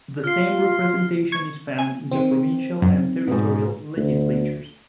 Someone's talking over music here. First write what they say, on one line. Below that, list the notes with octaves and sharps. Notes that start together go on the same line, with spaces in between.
The same representation is found in the provincial and territorial legislatures.
F4 F6 C7
C#6 G#6
G#5
D#3 E3 C4
F#2
G#2 B2
D2